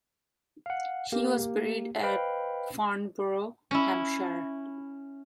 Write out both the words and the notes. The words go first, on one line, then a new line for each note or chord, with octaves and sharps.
He was buried at Farnborough, Hampshire.
F5 F#5
A#3 G4
B4 C5 D#5 F5 G5 B5
C#4 E4